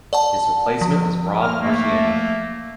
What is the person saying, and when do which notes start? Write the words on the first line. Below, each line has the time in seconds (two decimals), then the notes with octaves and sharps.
His replacement was Rob Marciano.
0.13 D5 F#5 A5
0.81 F3
1.41 A3 A#3 F6
1.61 A3 A#3